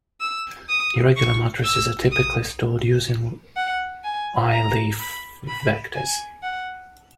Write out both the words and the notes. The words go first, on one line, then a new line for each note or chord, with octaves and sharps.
Irregular matrices are typically stored using Iliffe vectors.
E6
D#6
C#6
E6
D#6
F#5
G#5
A#5
B5
B5
G#5
F#5